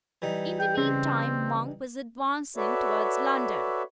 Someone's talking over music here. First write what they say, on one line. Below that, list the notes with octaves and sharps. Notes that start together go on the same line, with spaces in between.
In the mean time Monk was advancing towards London.
E3 G3 D#4
G5
C#3 C4
F#4 A4 B4 C#5 D5 E5